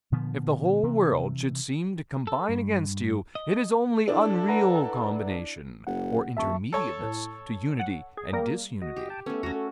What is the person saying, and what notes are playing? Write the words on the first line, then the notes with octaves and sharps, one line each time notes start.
If the whole world should seem to combine against you, it is only unreal combination, or intermediateness to unity and disunity.
A#2 D3 F3 B3
C3 E3
A4
G2
D#5
D4 E4 A4
B4 F#5 A#5
F#1 F#5
D#1 E5 A5 C#6
A4 C#5 A5
A2
F#5
G#4
G3 A#3 A#4
F#4 D#5
G4
G5 A5
A3 B3 C#4 A4
E2 C#4 F#4 A#5 A#6
A4